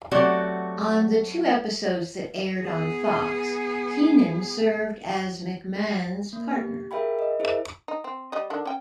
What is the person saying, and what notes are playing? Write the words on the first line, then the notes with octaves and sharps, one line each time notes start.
On the two episodes that aired on Fox, Heenan served as McMahon's partner.
F#3 A3 C4 F#4 G4 D5
B3 G#4
A#3
G4
G#4 A#4 E5 F5 G5 B5
D#5
E4 G#4 A#4 C5 E5
D#4
C4
G3 D#5
D3 D#3 D4
C#4 G5